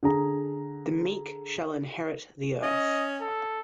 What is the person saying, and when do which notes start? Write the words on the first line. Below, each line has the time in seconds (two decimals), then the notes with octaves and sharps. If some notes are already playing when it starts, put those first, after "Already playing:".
The meek shall inherit the earth.
0.03 D3 G#4 A#5
2.62 C#4 D#5
3.21 A4